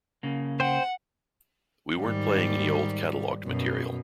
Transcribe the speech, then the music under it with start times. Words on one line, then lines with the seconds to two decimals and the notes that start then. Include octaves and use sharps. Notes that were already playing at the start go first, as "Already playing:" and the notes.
We weren't playing any old, cataloged material.
0.23 C#3 A#3
0.60 C5 F#5 G5
2.00 G#2 D#3 G3
3.44 F#2 B2